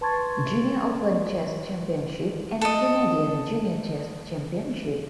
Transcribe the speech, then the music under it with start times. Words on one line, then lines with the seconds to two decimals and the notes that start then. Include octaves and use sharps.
Junior Open Chess Championship and Canadian Junior Chess Championship.
0.01 B4 A5 C6 C#6 G#6 A6
2.61 A4 D#5